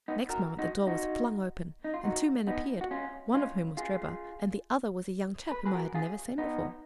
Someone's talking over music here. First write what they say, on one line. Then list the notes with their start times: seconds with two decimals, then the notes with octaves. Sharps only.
Next moment the door was flung open and two men appeared, one of whom was Drebber, and the other was a young chap whom I had never seen before.
0.08 B3 D#4
0.30 F#4 A#4
0.59 D#4 F#4
0.87 D#4 F#4
1.84 D#4
1.94 F4
2.04 D#4 F#4
2.47 B3 D#4
2.81 F#4
2.91 C#4 F4
3.34 C#4 F4
3.77 F4 G#4
5.52 B4
5.66 G#4 B4
5.73 F#4 A#4
5.95 F4 G#4
6.38 B3 D#4